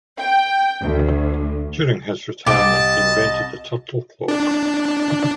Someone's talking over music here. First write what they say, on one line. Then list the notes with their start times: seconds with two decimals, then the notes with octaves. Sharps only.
During his retirement he invented the "Turtle Clock".
0.18 G5
0.82 D2
2.46 C2 D#5 G5 A5 D6
4.28 D4